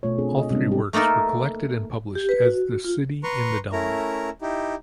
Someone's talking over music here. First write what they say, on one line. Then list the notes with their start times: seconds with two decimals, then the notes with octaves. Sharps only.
All three works were collected and published as the "City in the Dawn".
0.03 B2 A3 F4 C#5
0.18 C4 D4 F4 G#4
0.38 D#5
0.51 C3 G3 G#3 B3 D4
0.68 G3 G4
0.93 A3 A#3 D#4 A4 A#4
2.15 G4
2.29 B4
2.42 F#4
2.84 F4
3.23 B4 A#5 C6 C#6
3.72 A3 C#4 E4 A#4 A#5
4.41 D#4 E4 G4